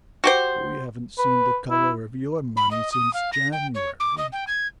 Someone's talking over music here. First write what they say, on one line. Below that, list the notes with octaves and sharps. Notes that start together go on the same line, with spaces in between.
We haven't seen the colour of your money since January.
F#4 G4 C5
B4
E4
B5
D#5
D#6
F5
A#6
G5
C#5
D6
D#5
G5
G#6